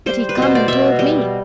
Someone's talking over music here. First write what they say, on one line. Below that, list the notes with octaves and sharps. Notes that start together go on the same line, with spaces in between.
But he come and told me.
G3 C5
B4
B2 C5
D5
B2 E5
G3